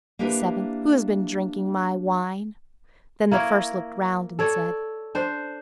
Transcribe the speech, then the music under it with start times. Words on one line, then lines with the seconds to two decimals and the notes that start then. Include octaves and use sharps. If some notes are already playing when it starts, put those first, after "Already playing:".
The seventh, "Who has been drinking my wine?" Then the first looked round and said.
0.19 A#3 D4 E4 G4 B4
3.31 A#3 E4 A#4 C#5
4.39 A4 C#5 D5
5.15 D4 C5